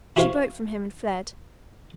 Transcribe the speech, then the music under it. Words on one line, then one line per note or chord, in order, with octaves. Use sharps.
She broke from him and fled.
E4 F#4 G4 C5 C#5 F5